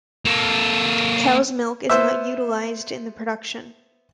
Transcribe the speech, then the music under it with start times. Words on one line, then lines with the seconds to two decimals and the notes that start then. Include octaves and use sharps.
Cow's milk is not utilized in the production.
0.25 A#3 A4
1.89 B3 C5 E5